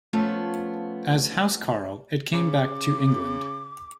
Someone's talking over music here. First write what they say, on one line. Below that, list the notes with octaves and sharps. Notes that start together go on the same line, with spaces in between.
As "housecarl", it came back to England.
F3 A3 B3 C#4 F4
C#3 D6